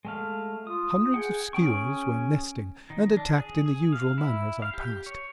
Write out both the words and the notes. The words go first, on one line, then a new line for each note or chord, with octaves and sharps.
Hundreds of skuas were nesting and attacked in the usual manner as I passed.
G#3 A3 F5
F4 D#6
G#4 F#5 G5
C#4 G#4 G5 C#6
D#3
D4
G#4
G#4
F5
E4
F5
G4
C#5